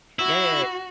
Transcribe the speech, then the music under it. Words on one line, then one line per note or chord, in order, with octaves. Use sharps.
Yeah, yeah, ye
E4 F#4